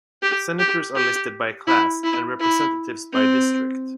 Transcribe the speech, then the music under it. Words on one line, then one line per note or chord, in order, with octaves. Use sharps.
Senators are listed by class, and Representatives by district.
G4
G4
G4
E4
E4
E4
C4